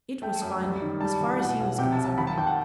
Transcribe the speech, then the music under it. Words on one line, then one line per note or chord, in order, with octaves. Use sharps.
It was final, as far as he was concerned.
A3 G5
F#2
G3
D#3
G3 A5
E3
B2 F#5
B1
C3 G5
A5
C2
A5
D#2 B5
A5
D#2 G5
F#5